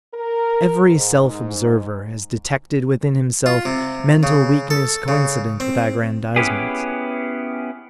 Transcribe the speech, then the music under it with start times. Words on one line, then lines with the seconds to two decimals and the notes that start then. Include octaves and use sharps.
Every self-observer has detected within himself mental weakness coincident with aggrandisement.
0.14 A#4
0.88 G#2
3.46 F4
3.65 C3
4.23 C#3
4.70 A4
5.08 C#3
5.60 C4
6.36 B3 C#4 E4 G4 G#4